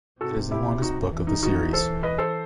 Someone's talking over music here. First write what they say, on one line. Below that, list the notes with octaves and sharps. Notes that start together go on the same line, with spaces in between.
It is the longest book of the series.
C3 F#4 A4
E4 G4
D#4 F#4
E3
D#4
E3 D#4 F#4
A4 C5
B4 D#5
A4 C5